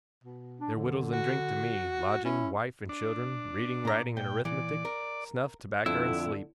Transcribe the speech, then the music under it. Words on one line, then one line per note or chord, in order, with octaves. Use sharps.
They're wittles and drink to me--lodging, wife, and children--reading, writing, and Arithmetic--snuff, tobacker, and sleep.'
B2
D4
F#2 D3
F#4
C#4 E4
D4
A#2 A#5
A#2 G5
A#2 E3 D5
A#4
F2 D3 E4 E6